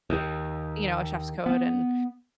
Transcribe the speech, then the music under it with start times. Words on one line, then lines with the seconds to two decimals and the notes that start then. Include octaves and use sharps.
you know, a chef's coat and,
0.10 D#2
1.46 B3